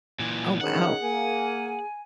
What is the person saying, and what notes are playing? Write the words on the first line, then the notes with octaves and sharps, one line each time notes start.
Oh, wow.
A#2 E3
D#3 C#4 D#4 G#4 F#5
A#3 G#5